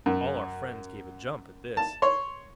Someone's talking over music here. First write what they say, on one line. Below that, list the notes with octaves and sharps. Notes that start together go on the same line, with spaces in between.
All our friends gave a jump, at this.
F#2
A5
C#5 C6